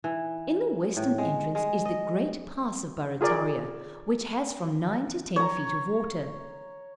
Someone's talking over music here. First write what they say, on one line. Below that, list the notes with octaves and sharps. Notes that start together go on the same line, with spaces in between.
In the western entrance is the great pass of Barrataria, which has from nine to ten feet of water.
E3
A2
G#3
G#3
D#5
F4 G#4 A#4 D5
C#5 A#5